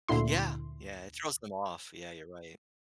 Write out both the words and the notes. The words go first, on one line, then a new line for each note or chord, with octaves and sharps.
Yeah, yeah. It throws them off. Yeah, you're right.
D2 A#2 D3 E4 C6